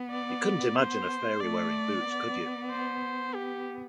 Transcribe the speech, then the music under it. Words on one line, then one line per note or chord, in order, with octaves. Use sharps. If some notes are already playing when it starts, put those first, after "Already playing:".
You couldn’t imagine a fairy wearing boots, could you?
Already playing: B3
D5
C5
A3 D5
B3
C5
G4